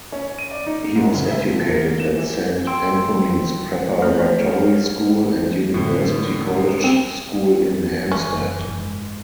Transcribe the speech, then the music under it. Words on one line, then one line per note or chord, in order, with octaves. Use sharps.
He was educated at Saint Anthony's Preparatory School and University College School in Hampstead.
C#4
D#7
D5
D#4
G#2
C#3
E5
F3
A#3
E7
E3
G5 C6 E6 D7
A3 C#5 F6
A2 D3 E3
C4
F#1 E3 C#4
G#2